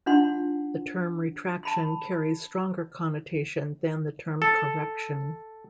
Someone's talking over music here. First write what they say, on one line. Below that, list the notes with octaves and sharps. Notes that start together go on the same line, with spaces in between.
The term "retraction" carries stronger connotation than the term "correction".
D4 D#4 F4 F#5 G#5 C6
A5 B5 C6
A4